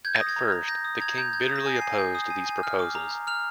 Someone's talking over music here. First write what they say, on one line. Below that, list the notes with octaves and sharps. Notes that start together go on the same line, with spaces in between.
At first, the King bitterly opposed these proposals.
G6 G#6
D#6 A#6
G#6
A#5
A#5
G6 A#6
D#6
A#5 G#6
A#5 G6
G6 G#6
D#6
A#6
G#5
C7
G#5
G6
D#6
G#5
G#5
F6
D6
A#5
A#5
F6 F7